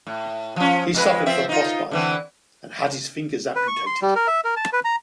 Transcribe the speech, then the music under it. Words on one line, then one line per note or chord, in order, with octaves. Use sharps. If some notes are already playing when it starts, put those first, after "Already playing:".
He suffered from frostbite and had his fingers amputated.
A2
F3 C#4
F2 G#3 B4
F3 C4 E5
D#4 F4
D3 E3 C4
B4
C#6
C6
G3
A#4
E5
A#4
A5
B4
A#5